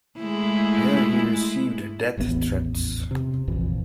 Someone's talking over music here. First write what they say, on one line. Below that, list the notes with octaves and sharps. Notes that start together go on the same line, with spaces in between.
Here he received death-threats.
G#3 A3 E4
D#1 A1 E2 B3
C3
A#1 F2 A#2 E3